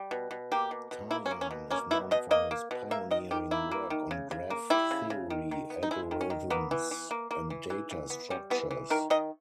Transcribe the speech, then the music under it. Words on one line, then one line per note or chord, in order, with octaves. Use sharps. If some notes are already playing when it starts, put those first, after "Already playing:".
Tarjan is known for his pioneering work on graph theory algorithms and data structures.
Already playing: G3
B2
B2
A#3 G4
B2
B2
A#3 E4
C#4
A#3
C#4
B2
A#3 C#4
B2 E4
B2 D#5
A#3 D#5
A#3
B2
A#3 E5
D#3 D#5
D#3 G4
A#3 E4
A#3
D#3
C#3
C#3
A#3
G3 E4
C#3
C#3
D#3
D#3
B3
D#4
G#3 E4
D#3
C#4
D#3
A#3 B3
E3
E3
A#3
A#3
E3
E3
E3
B3
G3 C#4
E3 B3
E3
D#3 A#4
D#3 D#5